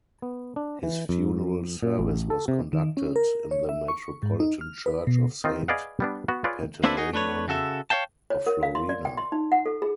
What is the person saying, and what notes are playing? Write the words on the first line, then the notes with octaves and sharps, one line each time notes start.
His funeral service was conducted in the Metropolitan Church of Saint Panteleimon of Florina.
B3
D4
E3
F2
A#2
A1
A4
C3
D#3
C#4
A#4
C#5
E5
C#6
G#2
D#4
F6
B4
B2
D#3 C4 D#4 F4
G#4 B4 D5 D#5 F5 F#5
G3 B3 D4
B3 F#4
F4 G#4 B4 C#5 D5
A#3 C4 D4 E4 A4 B4
D#4 F#4 G#4
A3 D4 B4 C#5
C#3 F#4 A4 E5
C#5 D5 F5 G5 A5
C#5
A#4
F5
C6
D5
G5
C6
D#4
F#5
A4
G#4